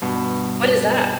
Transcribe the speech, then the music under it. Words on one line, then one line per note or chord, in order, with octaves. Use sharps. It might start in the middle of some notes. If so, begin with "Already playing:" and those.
What is that?
G2 B2